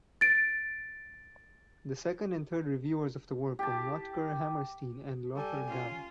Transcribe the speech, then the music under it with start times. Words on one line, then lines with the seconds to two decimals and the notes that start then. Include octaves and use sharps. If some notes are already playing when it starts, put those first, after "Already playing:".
The second and third reviewers of the work were Notker Hammerstein and Lothar Gall.
0.21 A6 D7
3.59 G4 A5
5.36 G3 A4 G#5
5.68 C#4 F4